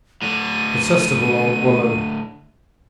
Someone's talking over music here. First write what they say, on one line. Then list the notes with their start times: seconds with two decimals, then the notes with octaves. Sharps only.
Detestable old woman!
0.22 A2 D3 D#7